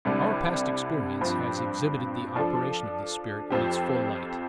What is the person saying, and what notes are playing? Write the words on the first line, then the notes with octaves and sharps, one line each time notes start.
Our past experience has exhibited the operation of this spirit in its full light.
C2 C3 G3 D4
G2 F3 C4
F3 D4 A4
F2 F3 C4 G4